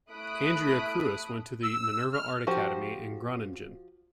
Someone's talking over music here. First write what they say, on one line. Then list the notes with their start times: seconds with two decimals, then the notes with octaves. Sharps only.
Andrea Kruis went to the Minerva Art Academy in Groningen.
0.11 A3 E4 B5 D#6 F#6 D7
1.63 E6
2.13 F6
2.47 F3 F#4 G4 C5